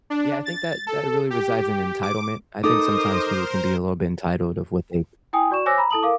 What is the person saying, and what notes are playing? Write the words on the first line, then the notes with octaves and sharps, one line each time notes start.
Yeah, I think that that really resides in entitlement. I think sometimes people can be a little bit entitled of what they
D4
A6
A4
G4
D6
D#4 A4 A#4 C5 D6 D#6
E4 G5 G#5 D#6
F#4 D5 C#6 E7
C5 C#5 G#5 D6 E6 A#6
A#5 B5
E4 A4 A5 D#6 F#7
A#4 F5 D6